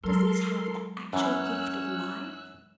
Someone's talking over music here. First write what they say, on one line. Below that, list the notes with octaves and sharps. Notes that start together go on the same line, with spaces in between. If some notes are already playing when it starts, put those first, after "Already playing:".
Doesn't it have the actual gift of life?
F#3 G#3 A4 A#4 C6
F#2 E3 C#4 E6 F#6